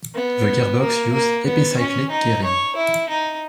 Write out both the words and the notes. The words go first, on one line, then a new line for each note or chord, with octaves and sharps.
The gearbox used epicyclic gearing.
B3
A#3
A#3
B3
C#4
D#4
C#5
E4
D#4